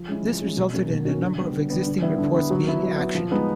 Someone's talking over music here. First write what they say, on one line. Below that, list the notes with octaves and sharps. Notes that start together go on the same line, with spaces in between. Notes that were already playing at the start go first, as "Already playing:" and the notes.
This resulted in a number of existing reports being actioned.
Already playing: F3
G#3 C#4 E4
F3
G#3 C#4 E4
B2
F#3 A#3 C#4
B2
F#3 A#3 C#4
D3
G3 B3
D3
G3 B3
D3
G3 B3 E4
D3
G3 B3 E4
F#3
B3 E4
F#3
B3 E4
F3
G#3 B3 D#4